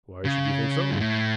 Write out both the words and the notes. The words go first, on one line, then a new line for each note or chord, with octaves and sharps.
"Why should you think so?"
C#3
G2
A2